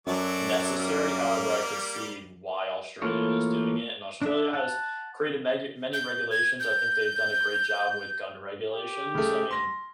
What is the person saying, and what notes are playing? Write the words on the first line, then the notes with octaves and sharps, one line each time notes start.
necessary; however, I could see why Australia is doing it and Australia has created meg many regulations, I think they've done a great job with gun regulations. I mean,
F#2 F#3 A4 D5
G3 A#3
E3 A3 A#3 F4 C#5
D4 E5
F#5 A5
G6
G#6
G6
G4
C#3 A3
C6 A#6